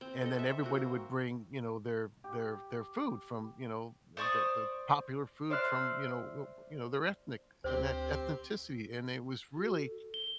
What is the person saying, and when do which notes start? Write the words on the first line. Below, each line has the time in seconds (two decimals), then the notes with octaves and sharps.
and then everybody would bring, you know, their their their food from, you know, the the the popular food from, you know, uh, you know, their ethnic etn ethnicity, and it was really
0.01 C4
0.22 A4 D#5
0.39 E5
0.63 A#3 C4 F#4
2.24 G4
4.17 C5 D5 C#6 D#6
5.50 C5 D5 E5 C6 F6 F#6
7.64 D2 C4 G4 C5 D5
9.57 F#4
9.78 A4
10.14 G7